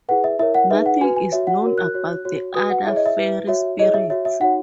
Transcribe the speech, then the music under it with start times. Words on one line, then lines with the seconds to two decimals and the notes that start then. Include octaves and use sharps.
Nothing is known about the other fiery spirits.
0.09 E4 G#4 B4 F#5
0.24 E5
0.39 E4 A#4 C#5 E5
0.55 F#5
0.70 D#4 G#4 B4 E5
0.86 F#5
1.01 F#4 B4 G#5
1.16 G#5
1.32 F#4 C#5 E5
1.47 F#5
1.62 F#4 A#4 C#5
1.78 F#6
1.94 F#4 C#5
2.25 F#4 C#5
2.55 F#4 B4 D#6
2.70 F#5
2.87 E4 G#4 C#5 E5
2.96 D#5
3.06 E5
3.17 E4 B4
3.47 F#4 C#5 E5
3.79 E4 G#4 C#5 D#5
3.94 E5
4.10 F#4 C#5 E5
4.25 E5
4.40 D#4 F#4 C#5 F#5